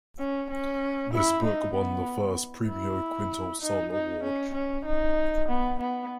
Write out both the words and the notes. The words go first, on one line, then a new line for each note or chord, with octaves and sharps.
This book won the first Premio Quinto Sol award.
C#4
C#4
E4
D#4
B3
E4
D#4
D#4
C#4
C#4
D#4
B3
B3